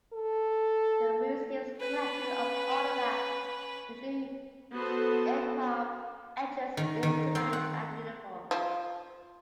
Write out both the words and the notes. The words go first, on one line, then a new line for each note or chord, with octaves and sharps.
The museum's collection of artefacts includes aircraft, engines, instruments and uniforms.
A4
C#4 B4
B3 F#4 A4 C5
D#3
D#3
C4
F#5
F3